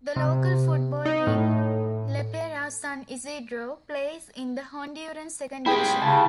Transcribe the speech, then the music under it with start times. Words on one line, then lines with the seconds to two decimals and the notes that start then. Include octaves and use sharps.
The local football team, Lepaera San Isidro, play in the Honduran second division.
0.16 C3
1.05 D#4
1.27 A2
5.66 E4 G4 G#4 G5 B5
6.01 C#3 A5